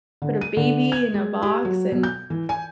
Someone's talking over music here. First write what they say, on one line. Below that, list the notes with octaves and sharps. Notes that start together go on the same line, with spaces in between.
put a baby in a box and
D3
D#7
D3
G#6
G#3
G4
F#3
B2
G6
E3
G#5